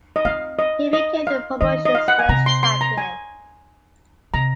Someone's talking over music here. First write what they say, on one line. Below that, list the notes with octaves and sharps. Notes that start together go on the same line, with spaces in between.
He became the promotion's first champion.
D#5
C4 F5
D#5
D#5
F5
D#3 D#5
D#5
F5
F#5
G#5
C3 A#5
C6
C6
A#5
G#5
C3 A#5